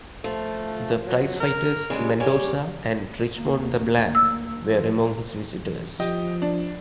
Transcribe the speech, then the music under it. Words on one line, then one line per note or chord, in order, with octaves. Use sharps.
The prize-fighters Mendoza and Richmond the Black were among his visitors.
F3 A3
F#3
A#4
C#3 G3 G#3
G3 C#5 F5 G#5
D2 A#3
E6
F3
F3 G4 D#5
D4